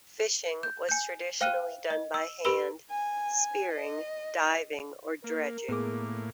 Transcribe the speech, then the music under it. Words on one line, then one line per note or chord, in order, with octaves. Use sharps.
Fishing was traditionally done by hand, spearing, diving or dredging.
G6
G#5 G6
C5 F5 G5 F6 F#6 D#7
D#5
E6
G4 B4 B5 E6 G7
G#5
D#5
A#3 A#4
A2 A#3 B3 G#4 D6